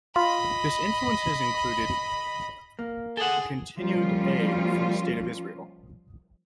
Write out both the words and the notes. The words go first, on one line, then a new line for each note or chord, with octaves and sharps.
This influence has included continued aid for the state of Israel.
F4 D#5 B5
A#3
G#4 A4 F#5
F3 G3 A#3 C#4 F4